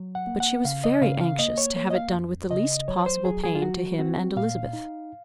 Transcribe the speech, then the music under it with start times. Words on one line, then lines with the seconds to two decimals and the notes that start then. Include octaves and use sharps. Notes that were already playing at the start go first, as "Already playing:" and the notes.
But she was very anxious to have it done with the least possible pain to him and Elizabeth.
Already playing: F#3
0.15 F#5
0.27 A#3
0.40 F#5
0.65 C#3 F5
0.84 D#5
1.01 C#3 F5
1.21 F5
1.39 A#3 D#5
1.58 C#5
1.76 A#3 C#5
1.91 D#5
1.95 F5
2.14 F2
2.51 C#3 D#5
2.88 F#3 C#5
3.06 C5
3.24 F#3 G#4
3.44 G#4
3.55 F4
3.62 F#3 F#4
3.99 C4 F#4
4.36 A#2 F5
4.73 D#4